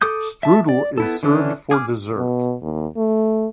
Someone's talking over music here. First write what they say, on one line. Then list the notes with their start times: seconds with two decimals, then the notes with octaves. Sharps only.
Strudel is served for dessert.
0.01 A4 D6 D#6 G6
0.43 E5 A5
0.69 D5
0.98 B3 E4 A4
1.23 D3 E3 C#4 D4
1.71 G#4 D6 F6
2.18 B2
2.62 D#2
2.97 A3